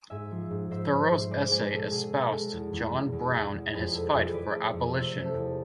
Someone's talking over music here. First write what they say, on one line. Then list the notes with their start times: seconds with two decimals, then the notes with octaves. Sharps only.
Thoreau's essay espoused John Brown and his fight for abolition.
0.10 G#2 E5 G#5
0.31 F3
0.51 G#2
0.71 G#2 C5 E5
0.91 G#2
1.11 G#2
1.21 C5
1.31 G#3 B4 D5
1.51 G#3 G#4 B4
1.71 B2 A4
1.91 B2 G#4
2.13 B2
2.18 A4 B4
2.32 G#3
2.53 E2
2.73 E2
2.92 E2
3.12 E2
3.33 E2
3.54 E2
3.73 F2 G#4 B4
3.93 A3 A4
4.13 F2 G#4 B4
4.33 E3 B4 D5
4.54 A3
4.73 F2
4.93 C3 C5 E5
5.15 C3
5.25 A4
5.34 E2